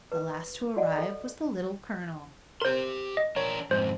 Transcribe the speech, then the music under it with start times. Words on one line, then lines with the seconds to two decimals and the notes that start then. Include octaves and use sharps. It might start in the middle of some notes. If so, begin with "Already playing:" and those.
The last to arrive was the Little Colonel.
0.12 B4
0.76 F#4 D5 D#5 F#5
0.98 A4
2.62 G4 A#4 C5 C6
3.17 D#5
3.36 D4 A#4 C#5
3.71 F2 G#2 C5